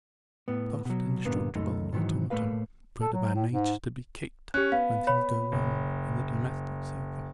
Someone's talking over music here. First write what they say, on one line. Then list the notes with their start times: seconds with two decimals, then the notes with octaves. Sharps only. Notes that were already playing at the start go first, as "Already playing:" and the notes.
A soft, indestructible automaton provided by nature to be kicked when things go wrong in the domestic circle.
0.48 A2 B3
0.85 B2 F#3
1.25 G2 A#2 D3 A#3 B3
1.55 C#2 F#2 A3 D#4
1.93 G#2 D#3 E3 F#3
2.30 A2 A3 A#3 B4 F5
3.01 A4
3.13 F#3
3.35 A2
3.50 G#2
4.54 C#4 G4 F#6
4.72 B3 F5
5.07 C#5 B5
5.52 F#1